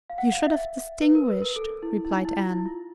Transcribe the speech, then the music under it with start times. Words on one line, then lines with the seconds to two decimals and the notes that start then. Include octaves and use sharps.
"You should have distinguished," replied Anne.
0.10 F5
0.18 F#5
0.32 F5
0.47 E5
1.01 B4
1.15 A#4
1.28 B4
1.42 A#4
1.56 A4
1.83 E4
2.05 E4
2.10 D#4
2.25 E4
2.38 F4
2.52 E4
2.66 F4